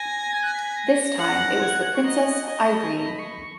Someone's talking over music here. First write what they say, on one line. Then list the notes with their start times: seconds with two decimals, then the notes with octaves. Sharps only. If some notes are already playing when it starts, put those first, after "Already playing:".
This time it was the "Princess Irene".
Already playing: G#5 A#6
0.33 G#6
0.43 F#6
0.54 B6
0.64 B6
0.75 A#6
1.18 F#5
1.61 G#6
1.72 F#6
1.82 G#6
1.94 C#6
2.04 D#5 A#5
2.18 G#5
2.32 F#5
2.47 D#5 G#5
2.57 A#5
2.69 B5
2.79 G#5
2.89 A#5
3.05 B5
3.19 C#6